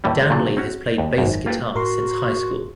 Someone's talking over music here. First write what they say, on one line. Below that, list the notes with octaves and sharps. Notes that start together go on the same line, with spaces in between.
Danley has played bass guitar since high school.
D#2 A2 E3 G3 C#4
A#2 D3 D#3 F#3 A3
C4 C#4 F#4
D#2
G#1 F#2
A#3 F4 G4 A4 B4
A2 F#4 A#4 C6